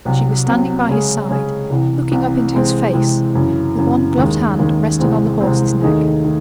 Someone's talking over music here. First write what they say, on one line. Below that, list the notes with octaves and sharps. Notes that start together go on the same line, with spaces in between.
She was standing by his side, looking up into his face, with one gloved hand resting on the horse's neck.
C2 C3 F#3
C2 C3 F#3
C#3 G#3 C#4 G#4
C#3 G#3 C#4 G#4
C2 C3 E3
C2 C3 E3
C3 E3 G#3 C4
C3 E3 G#3 C4
F#2 C#3 E3
F#2 C#3 E3
D#2 D#3 G#3
D#2 D#3 G#3
C2 C3 E3 G#3 C4
C2 C3 E3 G#3 C4
D#2 D#3 A3 D#4 G#4
D#3 A3